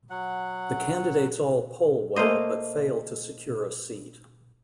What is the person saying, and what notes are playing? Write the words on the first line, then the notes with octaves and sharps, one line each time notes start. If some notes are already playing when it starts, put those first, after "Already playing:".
The candidates all poll well but fail to secure a seat.
F#3 F#5
A3 A#3 C5 D#5